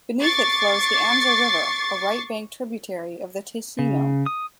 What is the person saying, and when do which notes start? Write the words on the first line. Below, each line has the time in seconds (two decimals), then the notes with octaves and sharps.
Beneath it flows the Anza River, a right-bank tributary of the Ticino.
0.20 C#6 D6 A6 C7
3.79 C#3
4.26 D#6